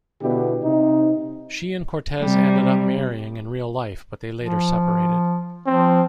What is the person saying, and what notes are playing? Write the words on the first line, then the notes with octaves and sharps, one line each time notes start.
She and Cortez ended up marrying in real life, but they later separated.
B2 D3 B3 D4 E4 G4
C3 D#4
C3 G3
F3
F3 C4